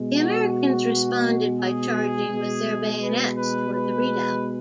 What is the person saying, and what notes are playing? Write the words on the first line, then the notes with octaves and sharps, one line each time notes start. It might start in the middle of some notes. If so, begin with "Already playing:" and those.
The Americans responded by charging with their bayonets towards the redoubt.
Already playing: B2 G#3
F#4
G#4
B2 G#3
B4
B4
B4